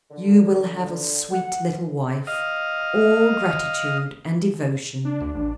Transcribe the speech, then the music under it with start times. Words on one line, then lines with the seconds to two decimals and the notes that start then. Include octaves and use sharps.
You will have a sweet little wife; all gratitude and devotion.
0.11 D3
1.32 F#5
2.27 D#5 F5
5.05 D4
5.21 D2
5.35 A1